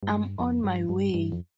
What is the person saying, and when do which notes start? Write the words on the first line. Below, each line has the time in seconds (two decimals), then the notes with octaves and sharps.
I'm on my way.
0.03 G2
0.39 F2
0.64 G2
0.89 G2
1.14 G2
1.32 F2